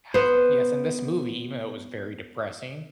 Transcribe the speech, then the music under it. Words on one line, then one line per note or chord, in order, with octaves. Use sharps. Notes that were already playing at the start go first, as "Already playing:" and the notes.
Abs Yes, and this movie, even though it was very depressing,
B3 C5